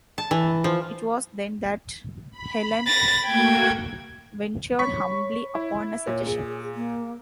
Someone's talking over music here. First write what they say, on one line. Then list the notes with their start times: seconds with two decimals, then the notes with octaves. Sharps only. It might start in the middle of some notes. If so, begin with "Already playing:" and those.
It was then that Helene ventured humbly upon a suggestion.
0.18 A5
0.31 E3
0.64 F3
2.31 B5
2.87 A6 A#6
3.25 A3 A#3 F#4 G5 G#6
4.79 C#5 B5 C#6 B6
5.55 E4
6.07 A#2 C#5
6.26 G#4
6.75 A#3